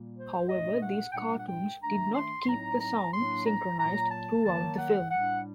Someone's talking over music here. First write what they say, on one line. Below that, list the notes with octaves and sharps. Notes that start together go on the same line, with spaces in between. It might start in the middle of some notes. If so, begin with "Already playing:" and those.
However, these cartoons did not keep the sound synchronized throughout the film.
Already playing: A#2 G3 A#3
C5
A#2 A3 D4 D#5
F#5
G5
A#2 G3 D4 F#5
F#5
G5
D#3 A3 D4 A#5
C6
C6
A2 F#3 C4 D#4 A#5
A#5
A2 F#3 A#3 D4 C6
A#5
A#2 F#3 A#3 A#5
A5
D#3 F#3 A#3 A5
F#5
A2 G3 D4 F#5